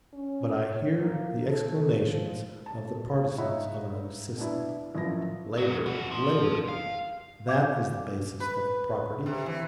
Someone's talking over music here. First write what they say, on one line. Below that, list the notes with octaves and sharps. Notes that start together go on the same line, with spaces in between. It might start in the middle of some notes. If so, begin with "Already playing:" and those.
But I hear the exclamations of the partisans of another system: "Labor, labor! that is the basis of property!"
C#4
C#5
A#3
A4
F3
A5
D#4 F4 C#5 E5 F#5 B5
B2 D4 E4
A1 F#2 F3 E4 A#6
G#2 F#3
E3 F#4
F3
F5
F5 D6 G6 G#6
B4
C3
E3